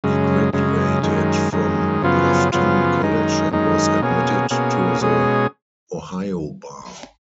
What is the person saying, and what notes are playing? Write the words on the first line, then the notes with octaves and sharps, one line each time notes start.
He graduated from Bluffton College and was admitted to the Ohio bar.
F#2 C#3 G#3
F#2 C#3 G#3
F#2 D#3 G#3
F#2 D#3 G#3
F#2 C#3 F3 B3 F4
F#2 C#3 F3 B3 F4
F#2 D#3 G#3 D#4
F#2 D#3 G#3 D#4
B2 A#3 C#4 G#4
B2 A#3 C#4 G#4
B2 G#3 C#4 G#4